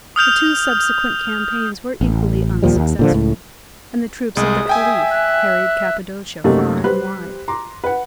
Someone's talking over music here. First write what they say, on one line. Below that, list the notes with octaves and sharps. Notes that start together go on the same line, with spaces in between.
The two subsequent campaigns were equally unsuccessful, and the troops of the Caliph harried Cappadocia far and wide.
D#6 F6 G6 F7
A1
D#2 A#2 F3 G3
D#2
A#2 D3 F3
C#2 A2
C2 G#3 D#6
E5 G5 G#5
F#6
F#2 C3 G3 A3 A#3 D#4
G3 B4 C5 F#6
A#5 C6 D6
B4 F#5